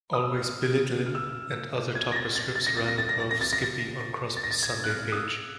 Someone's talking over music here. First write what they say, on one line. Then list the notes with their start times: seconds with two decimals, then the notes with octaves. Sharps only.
"Always Belittlin"' and other topper strips ran above "Skippy" on Crosby's Sunday page.
0.13 D#6
0.24 E6
0.35 F6
1.06 F6
1.15 E6
1.95 G#6
2.12 A#6
2.15 A6
2.35 A6
2.55 A6
2.67 A#6
2.77 A6
2.88 A#6
2.98 A6
3.09 A#6
3.20 A6
3.31 A#6
3.41 A6
3.53 A#6
3.62 A6
4.37 A6
4.43 A#6
4.51 A6
4.63 G#6
4.84 F#6
4.90 F6
5.12 D#6
5.17 E6